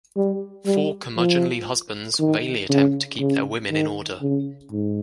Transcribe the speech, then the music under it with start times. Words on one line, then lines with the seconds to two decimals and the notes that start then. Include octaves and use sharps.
Four curmudgeonly husbands vainly attempt to keep their women in order.
0.16 G3
0.66 G3
1.17 F3
2.19 D#3
2.69 C#3
3.19 C#3
3.71 D#3
4.21 C#3
4.72 G#2